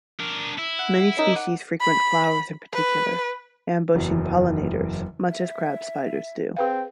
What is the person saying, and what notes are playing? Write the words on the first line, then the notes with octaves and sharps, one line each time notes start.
Many species frequent flowers in particular, ambushing pollinators, much as crab spiders do.
D4 A#4
E4
F#5
C#4 D#4 A#4
F#5 D6
B5
B4
F#1 E2 F#3
E5
C4 G#4 B4 F5 G5